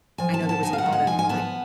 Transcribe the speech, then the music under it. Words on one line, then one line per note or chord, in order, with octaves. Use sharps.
I know there was a lot of I
F3 G#5
A5
B3
A5
D#4 G#5
F5
F#5
G#3
F#5
F3 G#5
G#5
B3 A5